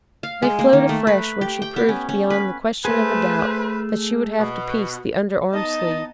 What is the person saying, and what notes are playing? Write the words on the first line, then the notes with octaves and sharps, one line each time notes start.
They flowed afresh when she proved beyond the question of a doubt that she would have to piece the under-arm sleeve.
F5
G#3
A#3
D#3
A3
B4
G4
G5
B3
C#4
C#4
B4
A3 G#4 B4 C5
B2
B3 D#4 D#5 A5